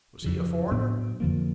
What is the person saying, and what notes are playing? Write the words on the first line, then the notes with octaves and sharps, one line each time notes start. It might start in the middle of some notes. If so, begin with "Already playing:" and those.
Was he a foreigner?
F2 C#3 F3
A2 F#3 B3 D4
F2 D3 F3 A#3